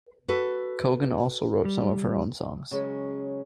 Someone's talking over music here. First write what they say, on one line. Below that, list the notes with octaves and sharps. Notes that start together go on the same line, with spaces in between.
Cogan also wrote some of her own songs.
F#4 A4 B4
G3
C#3 F#3 G#3 C#4